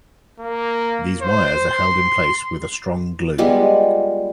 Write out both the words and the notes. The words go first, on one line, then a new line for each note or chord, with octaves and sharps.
These wires are held in place with a strong glue.
A#3
C5
C6
G3 G#3 B3 F4